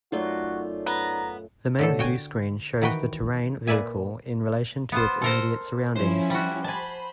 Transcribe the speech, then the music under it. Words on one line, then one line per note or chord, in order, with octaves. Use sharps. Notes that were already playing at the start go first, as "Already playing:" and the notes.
The main view screen shows the terrain vehicle in relation to its immediate surroundings.
F#2 A3 D#4 F4 F#4 C#5 D5
B3 A#5
A2 D3 A4
F#4 G5 G#5
D#3 E3 F#4 B4 F#5 G5
A#2 B4 D5 E5 G#5
B3 F4 C5
A4 A#4 C5
F3 C#4 E4 C5
G3 F#4
C5 G#5 A5 B5